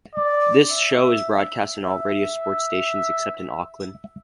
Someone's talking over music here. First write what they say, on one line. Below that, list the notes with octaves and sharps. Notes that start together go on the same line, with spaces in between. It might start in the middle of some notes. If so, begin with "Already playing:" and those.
This show is broadcast on all Radio Sport stations except in Auckland.
D5
E5
E5